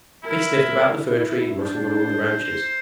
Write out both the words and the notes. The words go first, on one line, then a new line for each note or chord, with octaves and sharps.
They snuffed about the Fir Tree, and rustled among the branches.
E4 A#4
E4
D4 C5